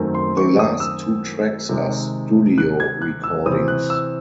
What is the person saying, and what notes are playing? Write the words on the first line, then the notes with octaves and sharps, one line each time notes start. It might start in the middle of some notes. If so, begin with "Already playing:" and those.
The last two tracks are studio recordings.
Already playing: F#2 D#3 A3 C4
C6
C#6
D#6
E6
C3 D#3 G#3
F#6
G#6
F#6
E6
C3 E3 C4 D#6
F#6
E6